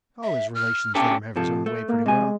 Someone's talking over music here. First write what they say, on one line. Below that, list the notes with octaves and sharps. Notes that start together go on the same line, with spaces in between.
All his relations let him have his own way pretty well.
E5
F6
D3 C#4 G4 A5
C3 F3 A4
A3
A#3
C3 G#3 G#5